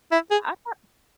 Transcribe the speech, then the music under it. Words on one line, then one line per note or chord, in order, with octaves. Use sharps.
I thought
E4
G#4